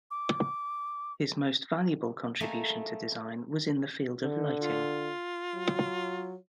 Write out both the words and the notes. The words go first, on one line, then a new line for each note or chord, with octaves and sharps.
His most valuable contribution to design was in the field of lighting.
D6
A3 A#3 D#4 E4 G#4 G#5
D3
F4
F#3